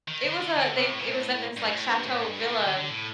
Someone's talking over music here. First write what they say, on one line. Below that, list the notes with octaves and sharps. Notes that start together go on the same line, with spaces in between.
It was a they it was at this like chateau villa.
D#3
D3
D3
D3
C3
A2
A#2
A2
G2
A2
G2
A2
G2
A2
A#2
D3
D3
A2